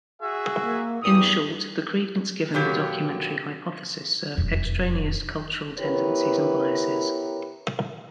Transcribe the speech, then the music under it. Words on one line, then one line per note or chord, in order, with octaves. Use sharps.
In short, the credence given the Documentary Hypothesis served extraneous cultural tendencies and biases.
F#4 G#4 E5
A#3
E2 G2 G4 D#6
B2 D3 F#3 A#3 G4
E1 F2
B3 E4 G4 A#4 B4 C#5